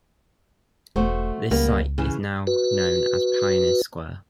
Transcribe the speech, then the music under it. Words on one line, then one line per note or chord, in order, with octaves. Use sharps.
This site is now known as Pioneer Square.
E1 A3 F#4 C5
C#2 G3 A#3 B3
C#3 E3
F#4 B4